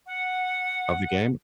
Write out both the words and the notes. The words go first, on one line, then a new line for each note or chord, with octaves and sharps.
of the game?
F#5